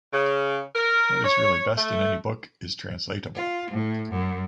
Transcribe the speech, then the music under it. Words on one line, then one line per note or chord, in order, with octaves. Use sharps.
What is really best in any book is translatable.
C#3
A#4
C#5
A3
F4
A2
F#2